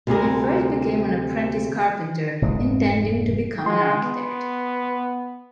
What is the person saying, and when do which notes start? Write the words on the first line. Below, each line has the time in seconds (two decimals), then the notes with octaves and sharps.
He first became an apprentice carpenter, intending to become an architect.
0.07 D2 C3 G3 G#3 G#4 A#4
2.42 F1 G#2 G#3
3.66 G#3 C6
4.03 B3